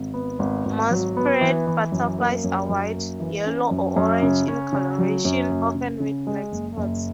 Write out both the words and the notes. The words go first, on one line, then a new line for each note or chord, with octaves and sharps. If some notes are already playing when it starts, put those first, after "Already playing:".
Most pierid butterflies are white, yellow, or orange in coloration, often with black spots.
Already playing: G#1
B3
G#1
G#1
F#3
B3
E3
E3
F#2
A#3
F#2
F#2
A#3
E3
C#4
F#2
F#2
C#3
C#4
C#3
F#3
F#2
F#1
C#3
C#3
G#3
F#1
F#1